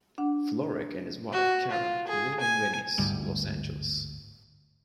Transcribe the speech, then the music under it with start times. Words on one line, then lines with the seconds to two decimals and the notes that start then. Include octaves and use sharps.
Florek and his wife, Karen, live in Venice, Los Angeles.
0.18 D4 F#5
1.33 F#4
1.71 F4
2.08 G#4
2.40 G#5
2.98 G1 D2 G#2 G3